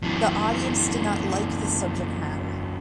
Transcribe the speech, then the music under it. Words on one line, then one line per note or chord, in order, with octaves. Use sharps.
The audience did not like the subject matter.
F#2 E3